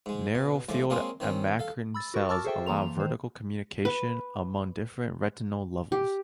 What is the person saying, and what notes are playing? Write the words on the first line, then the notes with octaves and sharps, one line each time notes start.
Narrow field amacrine cells allow vertical communication among different retinal levels.
G#2 G#3
B2
A2 F3 G#3 D6
G#3 A#3 C4 C#4 F4 G#4
D#3 C4 C#4
A4 F5
B5 E6 A6
F#4 A#4 C#6
A5 C#6 D6 E6 F6 A6
G#4 A4 C5 E5 G5
E3 A#3 A#5 C6 F7
D#3 C5
B4
G4